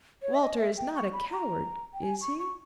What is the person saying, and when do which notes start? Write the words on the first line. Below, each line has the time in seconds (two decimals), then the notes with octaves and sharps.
'Walter is not a coward, is he?'
0.23 C#5
0.34 E5
0.42 D#5
0.59 E5
0.77 G5
0.95 C#6
1.13 B5
1.31 A#5
1.94 G5
2.03 G#5
2.21 C#6
2.39 C#6